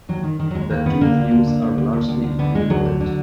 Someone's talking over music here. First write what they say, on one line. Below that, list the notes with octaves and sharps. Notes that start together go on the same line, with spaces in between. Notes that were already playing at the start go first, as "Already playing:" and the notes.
The two views are largely equivalent.
D#2 F#3
D#3
D#3
F#3
D#2 G#3
D#2 A#3
D#3 B3
D3 A#3
D2
D2
D3
D3
D2
D2
D2
D2
D3 B3
D3 G#3
D2 F#3
D3
D3